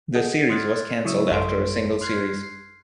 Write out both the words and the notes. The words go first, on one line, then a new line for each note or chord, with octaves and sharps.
The series was cancelled after a single series.
G#4 A4 D#5 F#5
C6 D#6 F6 F#6 G#6 A6
C#3 F#3 E4 C#6 D#6 E6
A1 F#2 A4 C6 D7
C6 F6 F#6 G#6 C7
C7